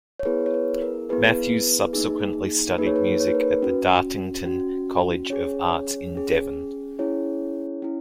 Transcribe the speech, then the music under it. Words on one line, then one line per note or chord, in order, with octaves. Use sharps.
Matthews subsequently studied music at the Dartington College of Arts in Devon.
C#5
B3 E4 G#4 B4
C#5
B4
A#4
B3 E4 G#4 B4
A#3 D#4 G#4
A#3 D#4 G#4 B4
C#5
B4
C#5
B4
A#4
B4
C#4 F#4
C#4 F#4
C#4 G#4 C#5
C#4 G#4
C#4 E4 G#4 C#5
C#4 E4